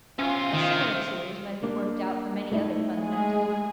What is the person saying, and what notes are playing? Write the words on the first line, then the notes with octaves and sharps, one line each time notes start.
A similar series might be worked out from any other fundamental.
C#4 F4 C5 E5
D#3
A#3 D4
A3 D#4 E4
G#3 G#4